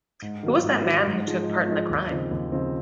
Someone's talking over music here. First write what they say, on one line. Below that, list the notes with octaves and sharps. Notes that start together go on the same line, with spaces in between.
Who was the man who took a part in the crime?
G#2
D#3 F#3
G#2
D#3 F#3
G#2
F3 G#3 D#4
G#2
F3 G#3 D#4
D#2
C#3 F3 C4 D#4
D#2
C#3 F3 C4 D#4